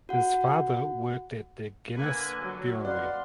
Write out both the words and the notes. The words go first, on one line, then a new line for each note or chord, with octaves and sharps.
His father worked at the Guinness Brewery.
F#4 F#5
D3 A#3 B4 G#5
F#3
B4 D5 F5 F#5 C6